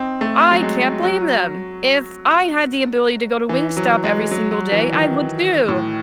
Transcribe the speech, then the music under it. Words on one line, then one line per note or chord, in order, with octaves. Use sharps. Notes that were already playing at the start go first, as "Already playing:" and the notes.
I can't blame them. If I had the ability to go to Wingstop every single day, I would too.
Already playing: C4 D#4
A3
F#3
G#3
F#3
E3
F#3
G#3
F#3
F#3
E3
D#3
A2